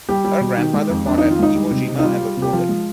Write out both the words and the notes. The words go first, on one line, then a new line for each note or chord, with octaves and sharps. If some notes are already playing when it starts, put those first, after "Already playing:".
Her grandfather fought at Iwo Jima and was wounded.
G3 G4
G3
B2
D#3
G#3
F2
F2 D4
D#4
D#3
F4
G#3 D#4
G3
C3
C3
D#4
G3 F4
G3
C3
G4
F3 F4
G#3